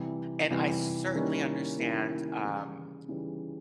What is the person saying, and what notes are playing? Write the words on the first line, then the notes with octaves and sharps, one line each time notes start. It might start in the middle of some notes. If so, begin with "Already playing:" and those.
and I certainly understand, um,
Already playing: C3 E3 G3
C3 E3 G3
D#3 G3 A#3 C#4 E4
D#3 G3 A#3 C#4 E4
C#3 E3 G3
C#3 E3 G3